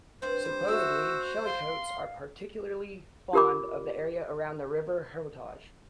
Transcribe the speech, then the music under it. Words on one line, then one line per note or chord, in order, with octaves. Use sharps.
Supposedly, shellycoats are particularly fond of the area around the River Hermitage.
G2 C4 C5 D5
G3
A3 F#4 E6
F5 C6
F4 G4 A#4 B5 D6